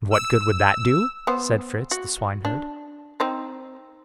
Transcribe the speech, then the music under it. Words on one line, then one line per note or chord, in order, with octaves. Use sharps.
"And what good would that do?" said Fritz, the swineherd.
E6
B3 C5
F#4
D4
C4 D#4 C5